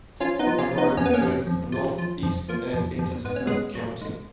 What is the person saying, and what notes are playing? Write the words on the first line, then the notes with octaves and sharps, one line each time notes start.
The road curves to the northeast and enters Smith County.
F3 C#4 F4
B3 D#4
F3
C#4 F4
F3
B3 D#4
F2 C#4
B3
A#3 C#4
F2
F2
F3
F3
F2
F3 A#3
F2
F2
G#2 B3
C#4
G#2 G#3 B3
F#3
G#2